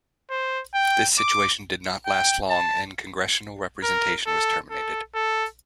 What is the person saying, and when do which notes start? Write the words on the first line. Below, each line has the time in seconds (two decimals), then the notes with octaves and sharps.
This situation did not last long and congressional representation was terminated.
0.31 C5
0.74 G5
1.19 D6
2.06 G5
2.51 A5
3.83 A#4
4.27 A4
4.71 A4
5.15 A4